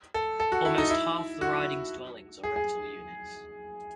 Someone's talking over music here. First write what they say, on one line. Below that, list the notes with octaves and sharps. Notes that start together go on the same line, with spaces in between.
Almost half the riding's dwellings are rental units.
A4
A4
F#4
E4
D#4
E4
F#4
G#4
G#4